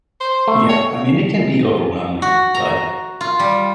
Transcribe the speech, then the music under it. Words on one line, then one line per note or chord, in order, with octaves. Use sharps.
Yeah. I mean, it can be overwhelming, but
C5
A3
C#5
F#4
A#5
F4
G3